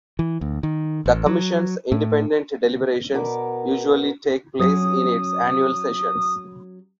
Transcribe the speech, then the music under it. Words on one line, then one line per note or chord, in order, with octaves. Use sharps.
The commission's independent deliberations usually take place in its annual sessions.
E3
D2
D#3
A1
F#3
A2
B2 A#4 B5 D6
F#3 C#4 D#6